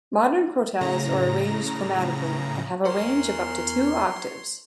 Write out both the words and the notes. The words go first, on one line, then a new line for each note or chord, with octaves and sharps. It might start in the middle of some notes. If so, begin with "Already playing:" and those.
Modern crotales are arranged chromatically and have a range of up to two octaves.
A2 C#3 A#5 A#6
E2 A#4 C5 C#5 F#5 C6